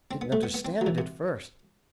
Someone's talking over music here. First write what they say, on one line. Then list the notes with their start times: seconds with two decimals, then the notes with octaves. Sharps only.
I didn't understand it at first.
0.11 C4
0.21 B3
0.32 A3
0.43 B3
0.54 B3
0.65 C4
0.81 F#3
0.86 E3
0.98 C3